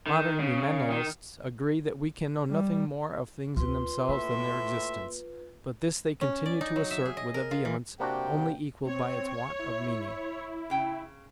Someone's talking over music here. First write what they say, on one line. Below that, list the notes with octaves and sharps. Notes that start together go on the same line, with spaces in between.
Modern Noumenalists agree that we can know nothing more of "things in themselves" than their existence, but this they continue to assert with a vehemence only equalled by its want of meaning.
D#3
C#3
D#3
G3
D2 C4 F4 B4 C6
A2 A#3 E5
C#4
D5
D#4
F#3
E5
G#4
D#5
A#4
F4
E3
C3 A#3 D4 F#4 G5
C4 C#5
E4
C#3 G5